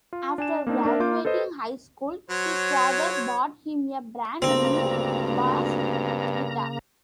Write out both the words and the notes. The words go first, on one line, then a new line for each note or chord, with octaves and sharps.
After graduating high school, his father bought him a brand new bass guitar.
F4
D4 G#5 E7
A#3 C4 D4 D#4
A#3 D4 A#4 E5
A#3 F4 D6 G6
A4 B4 C5 D#5
F#3 C5 C#5
D2 G2 C#3 A#3 C4 A#5